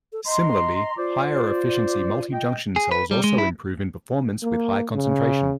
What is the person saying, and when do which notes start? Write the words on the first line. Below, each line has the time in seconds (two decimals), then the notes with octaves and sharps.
Similarly, higher efficiency multijunction cells also improve in performance with high concentration.
0.13 A4
0.26 D#5 A#5 C6
0.97 F4 C5 D5
2.32 D#5 G5
2.76 G#4
2.91 B4
3.11 G3
3.24 G#3
3.38 E4
4.43 A#3
4.95 C#3